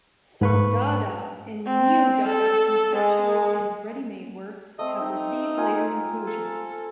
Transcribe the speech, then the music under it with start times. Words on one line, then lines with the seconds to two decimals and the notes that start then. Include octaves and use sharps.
Some Dada and Neo-Dada conceptual and readymade works have received later inclusion.
0.41 G#2 B4 C#6
1.66 C4
2.26 A4
2.95 G#3
4.79 A3 C4 D#5
5.00 D#4 E5 G5
5.57 F4 G#5 A#5
6.27 A4